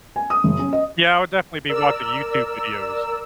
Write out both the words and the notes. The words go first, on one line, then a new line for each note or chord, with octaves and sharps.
Yeah, I would definitely be watching YouTube videos.
G#5
D#6
F#1
C#4
D#5
A#4 D5 E6